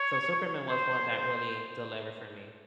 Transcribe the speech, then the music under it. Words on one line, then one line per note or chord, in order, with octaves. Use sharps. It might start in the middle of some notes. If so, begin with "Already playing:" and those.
So Superman was one that really delivered for me.
Already playing: C#5
C5
C5